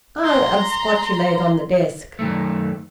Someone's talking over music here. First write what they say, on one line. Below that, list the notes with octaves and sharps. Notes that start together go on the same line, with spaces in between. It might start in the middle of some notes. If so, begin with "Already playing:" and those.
I'll absquatulate on the desk.
A#5 C6
F#2 D#3 A3